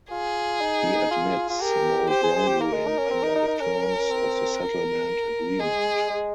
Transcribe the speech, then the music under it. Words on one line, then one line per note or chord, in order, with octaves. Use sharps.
He admits no wrongdoing under the terms of the settlement agreement.
F4 G#4
D#4
F4
F4
G4 A#4
G4 C5
G#4
G#4
G4
A#3 A#4
G#3
D#4
C#4
C4
D#4
D#4
D#4
C#4 A#4
C4
A#4
G#3 G#4
G#3